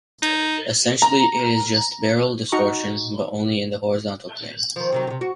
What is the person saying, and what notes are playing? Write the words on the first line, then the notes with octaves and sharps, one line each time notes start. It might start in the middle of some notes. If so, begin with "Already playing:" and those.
Essentially it is just barrel distortion but only in the horizontal plane.
D#4
A#5
D#4 F#4 A#5 C#6
D#3 F3
C3 D#3 F#3
C3 D#3
F#4